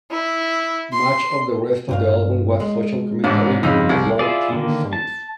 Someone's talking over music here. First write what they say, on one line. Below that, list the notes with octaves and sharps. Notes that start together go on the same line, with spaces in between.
Much of the rest of the album was social commentary and war-themed songs.
E4
C6
B1 G2 F5
G#3
A1 G#2 D4
F2 C#3 D#4 B5
C2
E4 F4 G#4 D5
D3 D#3 A#3
A5